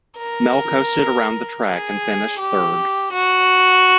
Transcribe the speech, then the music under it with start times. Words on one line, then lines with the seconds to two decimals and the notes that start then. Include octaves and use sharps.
Mel coasted around the track and finished third.
0.18 A#4
1.66 G#4
2.39 G4
3.13 F#4